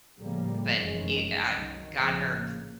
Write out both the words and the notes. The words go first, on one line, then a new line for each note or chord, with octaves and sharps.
But e I got her
A2 C#3 F3 G3 A#3
F1 F#2 D#3 E3 G#3 C#4
C2 D#3 F#3
A#1 A2 C#3 F3 C4
A#3